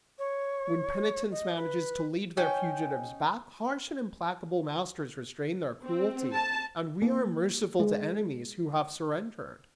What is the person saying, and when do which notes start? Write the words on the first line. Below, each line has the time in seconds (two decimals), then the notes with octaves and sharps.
When penitence manages to lead their fugitives back, harsh and implacable masters restrain their cruelty, and we are merciful to enemies who have surrendered.
0.19 C#5
1.31 D#5
1.56 B4
2.37 C#4 D#4 G5
5.85 C4
6.35 A5
7.02 A#3
7.80 G#3